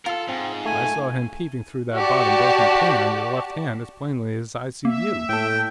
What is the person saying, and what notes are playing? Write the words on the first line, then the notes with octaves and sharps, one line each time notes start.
I saw him peeping through that bottom broken pane on your left hand as plainly as I see you.
F4 A4 A#4
G#2 C4
A3 G#5
F#4 G4 D5 A5
A#3 E5
A2 A4 G5